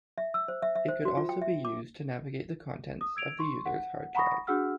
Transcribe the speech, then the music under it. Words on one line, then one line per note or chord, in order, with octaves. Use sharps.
It could also be used to navigate the contents of the user's hard drive.
E5
E6
C5
E5
E5
C5
F#4
F4
G5
E5
D6
D#6
E6 G#6 D7 F7
C6 C#6
F#5
F#5 A#5 B5 C#6 D#6 A#6
D4 F#4 G#4 F#5 E6 F6